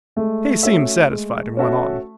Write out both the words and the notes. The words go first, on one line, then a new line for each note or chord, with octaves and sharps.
He seemed satisfied, and went on.
G#3 A3
C#4 F#4 A4 E5
G#3
C#4 F#4 A4 E5